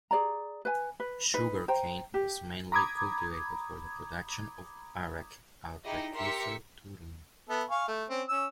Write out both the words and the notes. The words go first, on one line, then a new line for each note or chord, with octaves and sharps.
Sugar cane was mainly cultivated for the production of "arrack", a precursor to rum.
G#4 D5 A#5
B4 G#5
B4
D#4 B4
C5 G5 A#5
G4
A#5 B5 D6 D#6 G#6
D#4 E4 G4 G#4 D#5
G4 A#4 E5 C6 B6 C#7
B3 A4 E5
F5 G#5 C#6
A3
C4 C#4
C#4 E6